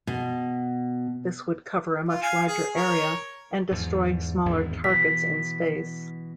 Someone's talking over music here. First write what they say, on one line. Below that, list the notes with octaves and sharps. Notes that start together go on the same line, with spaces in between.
This would cover a much larger area, and destroy smaller targets in space.
B2
F4
F5 G#5
G#4
A#4 C#5
E2 G#2 F3
G#1 E2 G2
B2 E3 B6